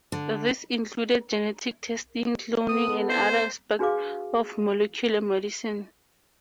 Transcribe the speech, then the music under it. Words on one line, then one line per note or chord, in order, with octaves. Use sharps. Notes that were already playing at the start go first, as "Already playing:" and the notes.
This included genetic testing, cloning and other aspects of molecular medicine.
D3
B3 A4 D#6
C5
D4 F#4 G#4 B4 F5 D6